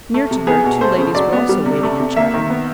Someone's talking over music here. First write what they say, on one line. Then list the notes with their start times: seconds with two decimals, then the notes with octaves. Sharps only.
Near to her two ladies were also waiting and chatting.
0.14 A3
0.31 C3
0.47 B3 G#4
0.64 B2
0.81 A3 C5
0.98 C#3
1.15 F#3 D5
1.33 B3
1.49 G3
1.66 C3
1.83 A3
2.00 C3
2.16 A#3 E5
2.34 D#3
2.50 B3